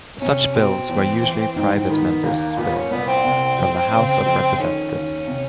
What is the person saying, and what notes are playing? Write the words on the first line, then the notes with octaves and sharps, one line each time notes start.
Such bills were usually private member's bills from the House of Representatives.
C3 C#4
B2 C4
E2
E3
G#2
D#3 B3
D#2 A#3
A#2 B3
C#4
C2 B3
C4
C3
F2
C#3
F2
D#3 C#4
D#2
C3